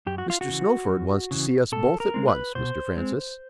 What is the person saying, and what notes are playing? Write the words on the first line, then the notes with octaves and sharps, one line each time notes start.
Mr. Snowford wants to see us both at once, Mr. Francis.
F#2 G4
F#4
F4
F#4
C#3 E3
F#2
C#3 E3
B2 A4
A#4
G#3 C4
B4
B2 C5
G#3 C4